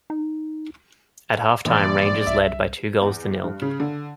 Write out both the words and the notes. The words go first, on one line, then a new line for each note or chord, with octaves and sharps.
At half-time Rangers led by two goals to nil.
D#4
A#1 E3 D5
C2 E5
E2
G2
C#3
D3